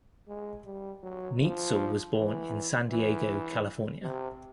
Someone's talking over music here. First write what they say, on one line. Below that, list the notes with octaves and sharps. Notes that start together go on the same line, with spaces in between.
Neitzel was born in San Diego, California.
G#3
G3
F#3
F3
E3
E3
C3